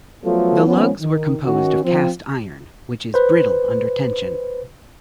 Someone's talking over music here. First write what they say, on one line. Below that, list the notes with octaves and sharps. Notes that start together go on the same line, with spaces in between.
The lugs were composed of cast iron, which is brittle under tension.
F3 F#3 A3 B3 F4 A4
D#3 F3 B3 C#4
D#3
D#3 C#4 F#4
F3 C4
B4 C5